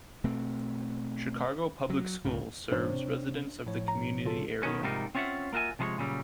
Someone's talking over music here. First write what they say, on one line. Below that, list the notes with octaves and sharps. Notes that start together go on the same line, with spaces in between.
Chicago Public Schools serves residents of the community area.
B2 A3 C4
F#3
C#2 G#2 C#3
G#2 E3 D4 C5 C#5
C3 C4
A2 F3 C#5
A#5
C#2 F4 A4
B2 D#3 C#4
G#2 C3 F3 G3 A#3 D#4
C4 C#4 F4 C#5 E5 F#5
A#3 F4 F#4 E5 G#5
C3 F3 G#3 C5 C#5
A#2 C#3 F#3 G3